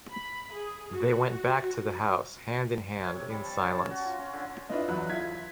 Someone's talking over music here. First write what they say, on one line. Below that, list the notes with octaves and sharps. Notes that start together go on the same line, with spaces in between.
They went back to the house, hand in hand, in silence.
B5
G#4
F#4
C#5
C3
G3
A5
C#4
A5
F#4
F4
C#4
D3
D4 E4 F4 B4 D#5
E2 F#3 F#5 B5 F#6
E4 F4 G#6 B6
B6